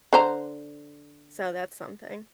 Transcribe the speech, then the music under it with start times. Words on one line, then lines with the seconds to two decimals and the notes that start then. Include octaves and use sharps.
So, that's something.
0.13 D3 C5 A#5